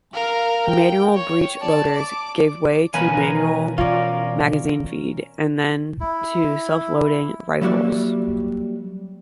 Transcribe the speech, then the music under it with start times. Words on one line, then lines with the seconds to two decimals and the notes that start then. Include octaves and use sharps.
Manual breech-loaders gave way to manual magazine feed and then to self-loading rifles.
0.14 A#4 F5
0.68 G5
1.15 C#5
1.60 D5 A5
1.98 D6
2.94 B2 E3 C#4 A#4 B4 F5 G#5
3.78 C#4 F4 A#4 D5
6.01 E4
7.61 F#3 G3 A#3 F#4 D5 E5